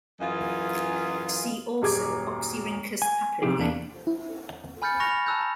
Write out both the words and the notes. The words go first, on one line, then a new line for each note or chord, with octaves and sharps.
See also Oxyrhynchus Papyri.
F#2 E3 F4 G#4 D#5 F5
D#1 F#2 G#4 D6 G#6
G#5
C3 F3 D#4 E4 G4 G#4
E2 A#3 D4
E4
G#5 B5 F6 G6 A6 C#7
G#5 C#6 F#6 A#6 C#7 F7
A5 A#5 E6 F#6 G6
A#5